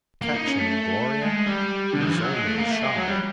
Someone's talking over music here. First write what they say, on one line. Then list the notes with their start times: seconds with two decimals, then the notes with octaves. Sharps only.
"Catch him, Gloria; he's only shy!"...
0.22 A#3
0.34 D#4
0.47 C#4
0.59 A3
1.21 G#3
1.46 G3
1.93 D3
2.00 D#3
2.07 E3
2.15 F3
2.21 F#3
2.33 G#3
2.45 A3
2.58 A#3
2.71 A3
2.83 G#3
2.96 F#3
3.08 G3